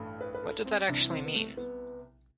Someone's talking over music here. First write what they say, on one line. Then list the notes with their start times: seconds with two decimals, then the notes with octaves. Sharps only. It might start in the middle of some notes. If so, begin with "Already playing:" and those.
What did that actually mean?
Already playing: A1 G2 A3
0.21 B4
0.35 B4
0.43 A4
0.66 C4
0.88 C2 C3 E3 D4
1.11 C4
1.25 B3
1.35 A3
1.57 B3